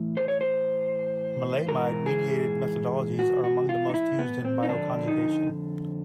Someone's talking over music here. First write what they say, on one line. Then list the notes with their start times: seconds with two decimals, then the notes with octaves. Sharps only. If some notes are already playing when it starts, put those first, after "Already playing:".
Maleimide-mediated methodologies are among the most used in bioconjugation.
Already playing: A2 E3
0.17 C5
0.28 C#5
0.41 C5
1.68 G#2 E3 A#4
2.06 G#4
3.19 F#4
3.44 F#4
3.69 F4
3.90 D#4
3.94 E4
4.19 B3
4.45 C4
4.63 D#4
4.69 F2 D3 D4
5.08 D#4